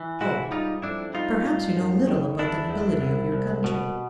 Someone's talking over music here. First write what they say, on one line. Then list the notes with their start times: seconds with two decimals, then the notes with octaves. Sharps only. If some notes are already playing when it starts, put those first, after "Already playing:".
"Oh. Perhaps you know little about the nobility of your country."
Already playing: E3
0.20 G#2 E4 F#4
0.51 G3 D#4 F4
0.82 F2 D4 E4
1.14 G3 D#4 F4
1.45 G2
1.76 F#2
2.07 D#3
2.39 E2 D4 E4
2.69 E2
3.01 C2
3.32 C2
3.64 B2